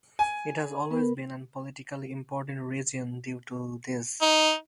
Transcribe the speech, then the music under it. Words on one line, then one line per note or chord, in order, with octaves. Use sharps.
It has always been an politically important region due to this.
G#5
B3 A#4 B4
D#4